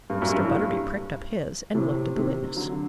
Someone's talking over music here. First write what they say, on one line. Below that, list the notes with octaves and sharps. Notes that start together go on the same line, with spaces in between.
Mr. Butterby pricked up his, and looked at the witness.
G2
F#2
G2
A2
G2
A2 C3
C3 D#3
D3 F#3